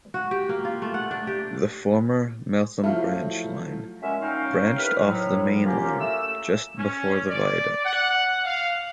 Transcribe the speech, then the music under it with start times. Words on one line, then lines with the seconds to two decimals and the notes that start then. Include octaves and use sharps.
The former Meltham branch line branched off the main line just before the viaduct.
0.14 F#4
0.31 G4
0.49 A#3
0.65 F4
0.82 A3
0.94 F#5
1.11 D4
1.27 G4
2.84 F3 F#3 A3 E4 F5
4.02 A#2 F#3 G#3 C#4 E5
4.21 C#4 D#4 F5 G5
4.77 C2 B4 F6
5.03 F2 A2 F#3
5.65 F#3 A#3 C#4 F4 G4
6.00 A3 E6
6.77 C#4
7.29 D5
7.85 F#5
8.45 F5